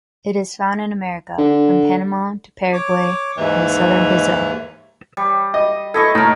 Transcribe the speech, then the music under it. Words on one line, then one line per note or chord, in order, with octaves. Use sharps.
It is found in America: from Panama to Paraguay and southern Brazil.
D3
C#5 D6
D#2 G#2 E3
G3
D#5
E4 A4 D#5 C#6
A2 D#4 A#4